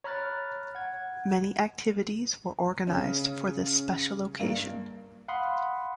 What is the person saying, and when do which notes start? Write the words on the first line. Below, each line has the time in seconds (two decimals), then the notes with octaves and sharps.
Many activities were organised for this special occasion.
0.04 C#5 A#5 B5 F6 F#6 A6
0.75 F#5 G#6
2.87 C#3 C#4
4.40 G2 A#3
5.28 F5 F#5 B5 C6 D#6